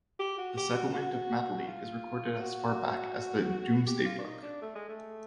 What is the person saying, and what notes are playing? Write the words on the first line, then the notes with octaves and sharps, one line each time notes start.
The settlement of Madeley is recorded as far back as the Domesday Book.
G4
F#4
G4
F#4
F#4
F4
F#4
G4
F4
D4
D#4
D4
A3
G#3
A3